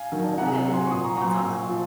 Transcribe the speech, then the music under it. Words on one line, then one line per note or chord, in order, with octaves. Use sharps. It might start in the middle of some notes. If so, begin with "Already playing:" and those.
Oh, good, that's awesome.
Already playing: F5 G#5
D#3 F#3
C3 F#5 A#5
F#3
G#5 C6
C#6
A#2 C6 D#6
A#5 C#6
F#3 A#5 C#6
G#5 C6
A#2
F3